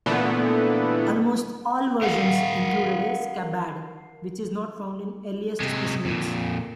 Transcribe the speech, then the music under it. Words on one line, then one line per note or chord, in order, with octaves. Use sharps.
Almost all versions included a scabbard, which is not found in earliest specimens.
A#2 D3 E3 A3 B3
A#4 F5 F#5
C3 G#3
F2 A#2